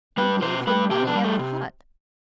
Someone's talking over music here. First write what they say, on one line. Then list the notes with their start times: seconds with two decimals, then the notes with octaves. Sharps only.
You gave him money at the hut.
0.17 G3 B4
0.42 B2 C5
0.67 G3 B4
0.91 B2 G4
1.07 D4
1.15 G3
1.23 A3
1.39 C3